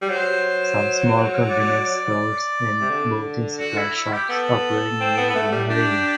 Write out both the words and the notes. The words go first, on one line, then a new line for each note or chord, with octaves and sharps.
Some small convenience stores and boating supply shops operate near the marina.
G3
F#3 C5
D5
C3
D3
F#4
E4
E4
G4
B3 A4
C4
B3
B3
A3
G3
D4 G4